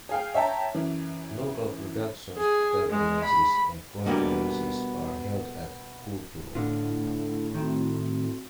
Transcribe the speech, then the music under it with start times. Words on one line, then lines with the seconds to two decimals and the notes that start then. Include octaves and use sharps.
Local productions, performances and conferences are held at "Kulturum".
0.09 G#4 F5 G5
0.34 C#5 E5 G5 A5 A#5
0.75 F#2 E3
2.37 G#4
2.90 G#3
3.24 B5
4.06 B2 G3 A#3 B3 D4
6.55 A2 D3 F4 F#5
7.54 D#3 C4 F#4